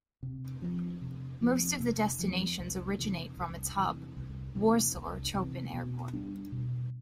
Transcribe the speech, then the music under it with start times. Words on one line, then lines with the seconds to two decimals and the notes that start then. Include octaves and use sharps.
Most of the destinations originate from its hub, Warsaw Chopin Airport.
0.23 C3
0.62 F3 C4
1.01 C3
1.41 F3 C4
1.80 C3
2.19 F3 C4
2.59 C2
2.98 C3 E3
3.37 C2
3.77 C3 E3
4.17 C2
4.55 C3 E3
4.95 C2
5.35 C3 E3
5.74 B2
6.13 G3 B3 D4
6.52 B2